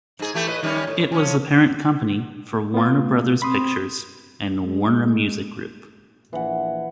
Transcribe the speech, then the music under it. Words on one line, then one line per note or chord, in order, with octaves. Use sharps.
It was the parent company for Warner Brothers Pictures and Warner Music Group.
G#2 G#4
E3 A3 G4
A2 B4 D#5
D#3 G3 C#4
A2
F3 C#4
B3 F4
A3
C4 B5 C6 D#6
G#3
A#1 E3 F#5